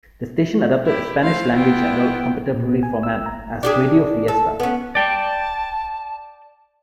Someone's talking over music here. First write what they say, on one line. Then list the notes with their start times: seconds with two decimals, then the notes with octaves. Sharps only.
The station adopted a Spanish language adult contemporary format as "Radio Fiesta".
0.85 E4 G4
1.22 A3 C5 F5
1.53 B3 E4 F4 G5
2.54 A#2
2.69 B3
2.83 G#5
3.03 E6
3.26 A#5
3.63 D4 G4 G#4
4.28 A4
4.60 B3 C#4
4.95 D5 G5 A5